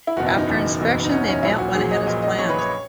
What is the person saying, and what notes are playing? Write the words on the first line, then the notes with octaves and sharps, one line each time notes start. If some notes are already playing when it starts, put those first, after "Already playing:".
After inspection, the event went ahead as planned.
E4
F#1 E2 B2 F#4
E4
D#4
F#1 E2 B2
F#1 E2 B2
D#4
F#1 E2 B2 C#4
C#4
A#1 A#2 F#3 E4
F#4
A#1 A#2 F#3 G#4
D#5
A#1 A#2 F#3 D#5
D#5
A#1 A#2 F#3 C#5
B4
C#5